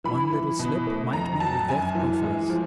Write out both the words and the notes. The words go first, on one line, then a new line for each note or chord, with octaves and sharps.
One little slip might be the death of us.
E3 B5
E3
B2
A3
F2 A#5
F#3 A5
F#2 G#5
E3
G#3
F3